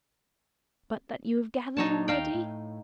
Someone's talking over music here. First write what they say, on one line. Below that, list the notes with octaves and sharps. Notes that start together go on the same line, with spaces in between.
But that you have gathered already?
A#2 F#3 D#4 C#5 A5
D#2 D#4 F5 G5
A2